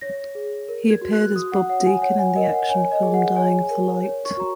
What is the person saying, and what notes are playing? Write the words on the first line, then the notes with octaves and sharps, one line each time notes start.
He appeared as Bob Deacon in the action film "Dying of the Light".
C#5 A#6
G#4
A#4
G#6
F#4
F#6
F#4 D#6
F#5
C#5 F#5
G#5
C#5 F#5
G#5
A#4 D#5
F#5
C#5 G#5
D#5
G#4
F#5
C#5 G#5
A#4
C#5
C#6
F#4 A#5